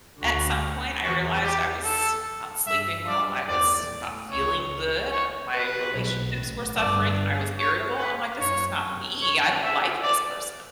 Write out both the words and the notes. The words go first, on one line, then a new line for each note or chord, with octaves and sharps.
at some point I realized I was not sleeping well, I was not feeling good, My relationships were suffering. I was irritable. I'm like, "This is not me, I don't like this person."
D2 D3 F#4
E2 E3 F#4
G4
A4
G2 G3 E5
G2 G3 D5
E2 E3 D5
A2 A3
C#2 C#3 C#5
C#5
B4
B1 B2
A1 A2
G1 G2 D5
C#5
B4
F#2 C#5
F#2
C#5
E5
D5